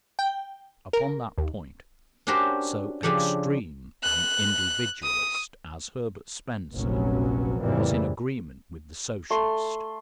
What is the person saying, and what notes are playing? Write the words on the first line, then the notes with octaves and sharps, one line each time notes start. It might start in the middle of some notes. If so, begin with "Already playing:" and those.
Upon that point so extreme an individualist as Herbert Spencer was in agreement with the Socialist.
G5
A#4
D#2
C#4 D4 F#4 G4 A#4 C5
C#3 F3 D4 G4 A4
F#6
D#6
F1 A#1 C3 F#3 B3 C#4
F2 A2 C#3 E3 G3 A#3
A3 C6